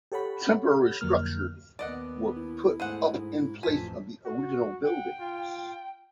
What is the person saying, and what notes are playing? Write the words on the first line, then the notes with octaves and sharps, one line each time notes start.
Temporary structures were put up in place of the original buildings.
G4 A4 C#5 F#5 B5
F2 D3 F#3 A#3 F6
D#2 B3 D5 D#5 F#5
E4
G#2 A3 G#4 C5 F#5
G#2
A1 F2 F4 G#5 A5 B6
F#4
F#5 G5
F4